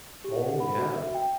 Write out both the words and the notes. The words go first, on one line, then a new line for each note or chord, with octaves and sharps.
Oh, yeah.
G4
F#5
B5
F#4
E5
G5